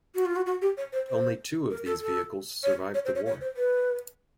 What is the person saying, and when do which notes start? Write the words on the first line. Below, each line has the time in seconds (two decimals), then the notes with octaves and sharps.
Only two of these vehicles survived the war.
0.15 F#4
0.26 F4
0.36 F#4
0.46 F#4
0.62 G4
0.77 C#5
0.93 C5
1.08 C5
1.70 A#4
1.86 A4
2.01 A4
2.63 C#5
2.94 C#5
3.05 C5
3.15 C#5
3.26 C#5
3.41 C5
3.57 B4